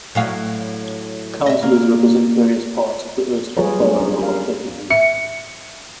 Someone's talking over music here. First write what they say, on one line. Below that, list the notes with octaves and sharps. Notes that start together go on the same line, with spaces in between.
Councillors represent various parts of the erstwhile Borough of Beckenham.
A2 F#3 F5
D#5 E5
A#3
F#3 G3 F4 G#4 B4 C#5
A3 B3 D4 G#4
G#3 C#4
G4 A#4 F5
E5 C#7